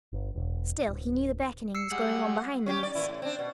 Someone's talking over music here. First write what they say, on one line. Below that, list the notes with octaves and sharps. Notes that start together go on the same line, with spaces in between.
Still he knew the beckoning was going on behind the mist.
G1
E1
D1
E6 C7 C#7
G3 G#3 F#5
C#4 G4
D#4 D5
A#2 E3 E4
A2
C4 D4
B2